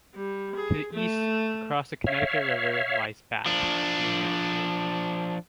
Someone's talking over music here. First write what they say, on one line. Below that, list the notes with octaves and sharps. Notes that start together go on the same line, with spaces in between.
To the east, across the Connecticut River lies Bath, New Hampshire.
G3
G#4
A3
C#5 E5 F5
F3 D4